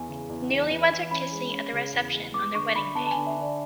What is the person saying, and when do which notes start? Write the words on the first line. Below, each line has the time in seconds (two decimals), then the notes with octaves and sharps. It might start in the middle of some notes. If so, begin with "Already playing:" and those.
Newlyweds are kissing at the reception on their wedding day.
Already playing: E2 G#5
0.08 C#3
0.29 E2
0.50 E3
0.70 E3
0.91 E3
1.11 C#4 B5
1.32 G#3
1.52 C#4
1.73 C#3
1.93 E2
2.14 G#3
2.34 B3 D6
2.55 D3 C#6
2.75 D3 B5
2.95 B3 A5
3.07 A5
3.11 G#5
3.16 D3
3.27 E5
3.37 D3 D5